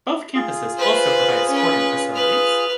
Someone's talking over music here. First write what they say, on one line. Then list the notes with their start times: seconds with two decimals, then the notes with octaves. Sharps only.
Both campuses also provide sporting facilities.
0.35 F4 G#4
0.77 B4 C5
1.49 C#4 B4
2.14 B4 F6